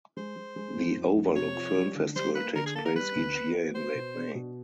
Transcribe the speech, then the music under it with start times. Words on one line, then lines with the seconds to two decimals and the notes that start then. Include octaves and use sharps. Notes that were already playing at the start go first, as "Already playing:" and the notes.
The Overlook Film Festival takes place each year in late May.
0.17 G#3 C5
0.36 G#3
0.56 G#3
0.76 F2
0.97 F2
1.16 F2
1.36 C3 C#5
1.56 F3
1.76 G3
1.96 D3
2.16 G3 C5
2.35 A#3 B4
2.56 D3 A#4
2.66 G#4
2.75 A#3 A4
2.85 A#4
2.95 G3 B4
3.16 D2
3.35 B3
3.55 B3
3.75 B3 C5
3.95 B2
4.15 D4
4.35 B2